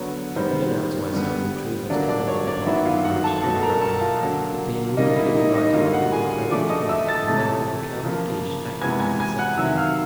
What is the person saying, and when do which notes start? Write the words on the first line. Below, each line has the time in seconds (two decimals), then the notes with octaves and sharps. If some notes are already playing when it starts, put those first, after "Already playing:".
"I did announce myself, in truth, as coming on the part of the Marechal de Grammont; but being wounded in the right arm he was unable to write and therefore the Count de Guiche acted as his secretary."
Already playing: D3 F#3 B3 C#5
0.36 D#3 G3 B3 C5
1.13 D3 G3 B3
1.90 D3 F#3 A#3 D4 D5
2.09 D4 D5
2.28 C#5
2.47 D4 D5
2.66 D#3 F#3 B3 E4 E5
2.85 F4 F5
3.05 F#4 F#5
3.24 A4 A5
3.43 B2 F#3 A3 A4 A5
3.62 A#4 A#5
3.81 A4 A5
4.01 F4 F5
4.20 D3 F#3 A#3
4.97 A#2 G3 A#3 D#4 D#5
5.16 E4 E5
5.35 D#4 D#5
5.54 D#4 D#5
5.73 D3 G3 A#3 F4 F5
5.93 F#4 F#5
6.12 G#4 G#5
6.51 D3 F3 A3 D5 D6
6.70 D#5 D#6
6.89 E5 E6
7.08 A5 A6
7.28 C3 E3 A3
8.04 C#3 F3 A#3
8.81 C3 E3 G#3 B3 G#5 G#6
9.00 G#5 G#6
9.20 G#5 G#6
9.39 F#5 F#6
9.58 C3 D#3 F#3 E5 E6
9.77 F5 F6